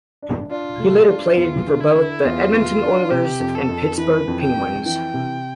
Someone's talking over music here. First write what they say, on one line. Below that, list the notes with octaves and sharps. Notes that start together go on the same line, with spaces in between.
He later played for both the Edmonton Oilers and Pittsburgh Penguins.
D4
D4 F4
A3
D4
E2 F4
D3
E4
D3
E2 F4
E2
D4
C3 G4
F2
A4
F2
E3 B4
F2
G5
F2
E3 G5
C3